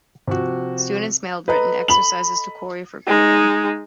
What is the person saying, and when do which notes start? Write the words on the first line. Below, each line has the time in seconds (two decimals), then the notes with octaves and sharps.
Students mailed written exercises to Cory for grading.
0.27 C3 F3 F#4
1.48 A4 B4 D#5 A#5
1.88 B5 F#7
3.07 G#3 D#4